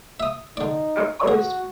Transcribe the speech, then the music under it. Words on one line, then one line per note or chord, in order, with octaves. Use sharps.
Uh, honest
E5 D#6
D3 D#4 D5
F#4 G#4